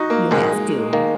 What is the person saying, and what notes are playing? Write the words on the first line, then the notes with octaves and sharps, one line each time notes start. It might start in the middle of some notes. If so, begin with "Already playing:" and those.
You have to.
Already playing: D#4 F#4
A#3
A#1 G#2 D#3 G#3
D#3 A#3